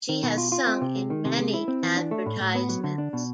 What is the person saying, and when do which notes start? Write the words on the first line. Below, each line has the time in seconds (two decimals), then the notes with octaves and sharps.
She has sung in many advertisements.
0.09 D#3
0.23 B2
0.38 F4
0.52 F4
0.67 C4
0.81 C3
0.96 G#3
1.10 D#3
1.25 C3
1.39 G#3
1.53 E4
1.68 C4
1.83 E3
1.97 D4
2.11 A3
2.26 A2
2.40 A2
2.55 B3
2.69 F#3
2.84 D3
2.98 D4
3.13 B2